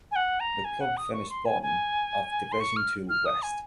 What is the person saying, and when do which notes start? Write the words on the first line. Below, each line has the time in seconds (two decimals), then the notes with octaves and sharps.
The club finished bottom of Division Two West.
0.12 G#5
0.16 F#5
0.40 A#5
0.64 G#5
0.81 F#5
0.97 D#6
1.13 C#6
1.30 C6
1.46 G#5
1.63 G#5
2.52 C6
2.60 C#6
2.77 F6
3.09 F6
3.26 D#6
3.43 G#5